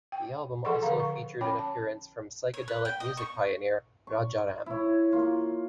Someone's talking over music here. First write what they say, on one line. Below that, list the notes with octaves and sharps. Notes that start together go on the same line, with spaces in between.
The album also featured an appearance from psychedelic music pioneer Raja Ram.
G5
F3 G#4 A4 F#5 C6 C#6
D3 F3 F5 A#5
C#6
C#4 C#5 G5 B5 D6
A5
C#5
B4
G5
D#5
C#6
C#6
E4 C#5
A#3 F4